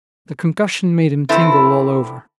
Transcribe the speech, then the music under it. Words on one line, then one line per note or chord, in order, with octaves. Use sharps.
The concussion made him tingle all over.
D3 F3 C4 E4 A4 B4